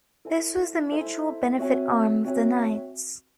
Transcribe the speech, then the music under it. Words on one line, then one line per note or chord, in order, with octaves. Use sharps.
This was the mutual benefit arm of the Knights.
E4 A4 C5 E5 G#5
E4 A4 C5 E5 G#5
C4 F#4 C#5 E5 G#5
C4 F#4 C#5 E5 G#5